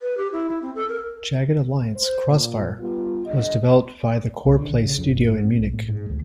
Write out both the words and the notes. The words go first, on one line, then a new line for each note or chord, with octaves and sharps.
"Jagged Alliance: Crossfire" was developed by the Coreplay Studio in Munich.
B4
G4
E4
E4
C4
A4
A#4
C5
A#2
G3 B3 F4
G2 D3 D#5
C2
D3
A1
C#3
F2
G1
G#2
C4
B1
A2
G#2
D2